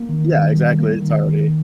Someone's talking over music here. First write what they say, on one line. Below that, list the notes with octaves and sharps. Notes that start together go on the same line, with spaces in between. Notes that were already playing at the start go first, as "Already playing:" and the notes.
Yeah, exactly, it's already
Already playing: A#3
D#3
D#3
G3
A#3
D#3
D#3